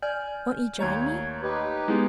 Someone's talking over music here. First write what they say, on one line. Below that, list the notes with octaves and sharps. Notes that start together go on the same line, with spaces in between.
Won't you join me?
D5 G#5 F6 G6
D#2 A3 C#5 A#5 G#6
D#4 G4 B4
G#3 B3 D#4 E4